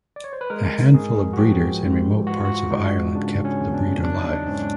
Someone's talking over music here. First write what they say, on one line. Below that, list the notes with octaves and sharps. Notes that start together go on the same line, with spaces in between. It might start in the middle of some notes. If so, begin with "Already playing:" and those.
A handful of breeders in remote parts of Ireland kept the breed alive.
D5
C#5
C5
B4
G#3 A#4
G#2 G#4
F#4
F3 G4
G#2
E3 F#4
F4
F#4
G#3 D#4
C#3 D4
C#4
E2
D4
F#3 D4
D#4
D4
G#2 C#4
D4